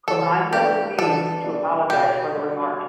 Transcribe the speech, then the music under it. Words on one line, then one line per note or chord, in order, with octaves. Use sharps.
Carranza refused to apologize for the remarks.
E3 A4
G3 B3 D4 G4
E3 A4
G3 B3 D4
B2 G4
G3 D4